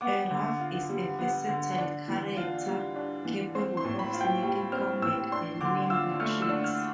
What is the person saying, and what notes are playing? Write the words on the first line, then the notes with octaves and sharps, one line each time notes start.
A rogue is a versatile character, capable of sneaky combat and nimble tricks.
B3 D6
D3
F4
G3
B3
D3
D4
E3
F4
G3
D4
E3
C4 C6
C6
A2
B5
F4
G5
G3 G5
C4 F6
A2 E6
D4 C6
D3 D6
F4 E6
A3 F6
E6
D4
F6